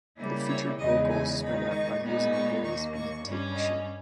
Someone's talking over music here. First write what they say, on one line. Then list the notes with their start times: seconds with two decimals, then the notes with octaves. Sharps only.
It featured vocals sped up by using a vari-speed tape machine.
0.17 C#3 G3 A#3 E4
0.48 C#5
0.78 E2 C#3 E3 G#3 D#4 D#5
1.10 G#5
1.40 D#3 G#3 D#4 B5
1.71 C#6
2.01 A#2 G#3 B3 D#4
2.33 C#6
2.64 D#2 D#3 A#3 C#6
2.95 C#6
3.25 G2 G3 C#4
3.55 D#5